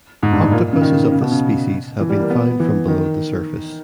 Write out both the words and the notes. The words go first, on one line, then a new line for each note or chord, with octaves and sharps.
Octopuses of this species have been found from below the surface.
G#2
G2
G#2
A#2
C#3
D#3
C#3
B2
C#3
E3
G3
A#3
B3
E3
D#3